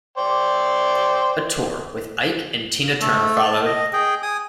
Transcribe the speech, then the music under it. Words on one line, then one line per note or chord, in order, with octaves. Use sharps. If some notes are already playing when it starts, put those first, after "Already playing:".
A tour with Ike and Tina Turner followed.
C5 D5 G5
A3 A4
A5
D#5
G#4 G5
G#5 D#6